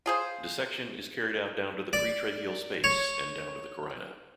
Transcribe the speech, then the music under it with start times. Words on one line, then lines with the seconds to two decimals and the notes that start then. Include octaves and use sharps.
Dissection is carried out down to the pretracheal space and down to the carina.
0.06 F4 G#4 C5
1.93 D5
2.84 C#5